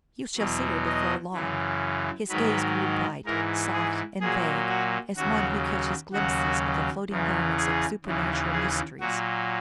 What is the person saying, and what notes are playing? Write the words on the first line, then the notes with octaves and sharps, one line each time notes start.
"You shall see her before long." His gaze grew bright, soft, and vague, as one who catches glimpses of the floating garments of supernatural mysteries.
E2 B2 F#3
D#5
F#2 C#3 E3
G#2 D#3 F#3 B4
G#2 E3 A#4
G#4
A#2 F#3 G#4
F#4
D#2 C#3 F#3 F#4
D#2 C#3 F#3 F#4
E2 C#3 E3
G#4
D#2 C#3 E3
G#4
A#2 F#3 F#4